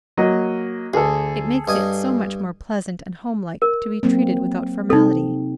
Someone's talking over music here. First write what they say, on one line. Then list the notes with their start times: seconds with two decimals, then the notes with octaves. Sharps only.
It makes it so much more pleasant and homelike to be treated without formality.
0.17 F#3 A#3 D#5
0.94 D2 G#4 A4
1.68 G2 D#5 G#5
3.62 A#4
4.03 F#3 A#3 C4
4.90 C3 C4 D#4 A4